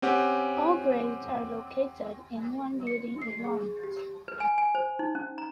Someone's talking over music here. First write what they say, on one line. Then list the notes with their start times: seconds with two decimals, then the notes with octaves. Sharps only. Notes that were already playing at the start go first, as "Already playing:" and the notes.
All grades are located in one building in Laurens.
0.02 C4 C#4 G4 F#5
2.87 C#7
3.22 C7
3.44 G#4
3.83 G4
4.28 B4
4.40 G#5
4.58 G#5
4.75 C5
4.99 D#4
5.15 C#4
5.38 A#5